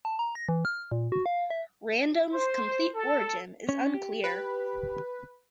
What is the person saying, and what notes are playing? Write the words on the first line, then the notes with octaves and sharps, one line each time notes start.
Random's complete origin is unclear.
A5
A#5
A#6
E3
F6
A#2
F#4
F5
E5
C5
A4
C#4 C#5
G4
B4